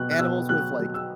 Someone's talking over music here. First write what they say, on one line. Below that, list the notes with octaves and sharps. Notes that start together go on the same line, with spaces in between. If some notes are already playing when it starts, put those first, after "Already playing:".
animals with, like
Already playing: B2 F#3 F#6
F#6
B2 E6
F#3 F#6
F#3
E6